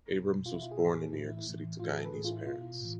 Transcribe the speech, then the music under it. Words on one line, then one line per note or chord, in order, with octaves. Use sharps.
Abrams was born in New York City to Guyanese parents.
B2
B2 F4
E4
F4
G#4
A2 E3 A4
G#4
A2 E3 E4
E4
A2 E3
A2 E3 F4 G#4
A4
B4
A2 E3 G#4
F4
E4
B2 F4
A2 E3